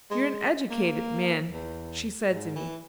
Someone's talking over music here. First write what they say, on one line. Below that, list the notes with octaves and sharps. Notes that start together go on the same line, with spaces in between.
'You're an educated man,' she said to me.
G#3
A#3
E2
G#2
E3